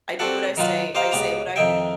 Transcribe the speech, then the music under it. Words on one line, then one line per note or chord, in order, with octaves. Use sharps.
I do what I say, I say what I do.
C4 D4 F#4 G4 A4 F#5
D#3 F#3 D#4 F4 B4
G4 C5 D#5 F5 A#5
C#2 B3 G4 A#5
F2 D#3 D#5 E5 G5